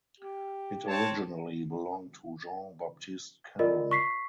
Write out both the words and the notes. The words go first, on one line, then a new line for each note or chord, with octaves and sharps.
It originally belonged to Jean Baptiste Caron.
G4
C4 C#5 A5
F4 A#4 D5 D#5
C#6 B6 C7